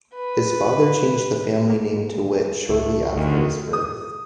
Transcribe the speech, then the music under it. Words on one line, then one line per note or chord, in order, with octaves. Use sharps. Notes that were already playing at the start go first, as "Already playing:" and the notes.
His father changed the family name to Witt shortly after his birth.
B4
A#3
C#2 A3
D2 D#3
D#6